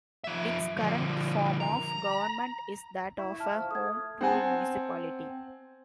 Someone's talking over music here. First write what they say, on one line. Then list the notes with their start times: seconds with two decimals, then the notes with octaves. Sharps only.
Its current form of government is that of a Home Rule Municipality.
0.24 F3 E5
0.77 D3 F3
1.60 A#5
3.19 E4 C#6
3.40 A5 F6
3.54 F3
3.71 A3 D#6 G#6
4.21 C4 F#5 G#5 A5